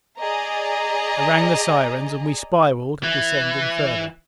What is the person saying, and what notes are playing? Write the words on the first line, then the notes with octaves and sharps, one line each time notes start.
I rang the sirens, and we spiraled, descending further.
G#4 D5 D#5 A#5
E3